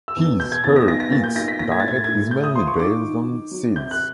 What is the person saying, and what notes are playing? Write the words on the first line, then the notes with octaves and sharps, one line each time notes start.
His/her/its diet is mainly based on seeds.
E6
E2
B2 G6
G#6
E2 A6
A#6
B1 A#6
A#6
A#2 A6
G6
B1 A#6
B6
A#2 A#6
G#6
A6
A2 G#6
A6
A2 G#6
A3 G6
D#6
F3 C6
C#6
D#3 D6
D#3
D#3
F#3
C3 G6
F#6